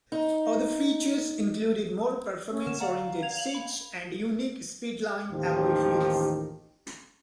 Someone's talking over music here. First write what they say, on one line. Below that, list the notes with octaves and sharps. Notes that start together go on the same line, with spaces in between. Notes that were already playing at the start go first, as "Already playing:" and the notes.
Other features included more performance oriented seats and unique Speedline alloy wheels.
D#4
C#4
D3 F6 E7
D5 F5 F#5 A#5
G#6 F7
F7 F#7
B5
A1 D#2 D#3 F3 G4